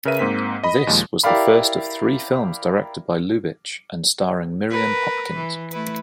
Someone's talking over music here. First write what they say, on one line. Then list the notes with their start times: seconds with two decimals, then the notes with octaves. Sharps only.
This was the first of three films directed by Lubitsch and starring Miriam Hopkins.
0.05 C#3 A#4 B4 E5 D#7
0.19 G#2 A#3 C4 B6
0.64 D#5 B5
0.87 D#2 A#2 F3 G#3
1.24 E4 G4 A#4 D5 F5 B5
4.70 A#4 B4
5.35 E3
5.71 A3 E4 B4